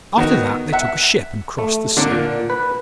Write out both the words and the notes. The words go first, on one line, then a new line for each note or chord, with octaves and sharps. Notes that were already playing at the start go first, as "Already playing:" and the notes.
After that they took a ship and crossed the sea.
D#3 B3 F#4
E5 F#5
A3
D3 A#3 D4
A#2
B4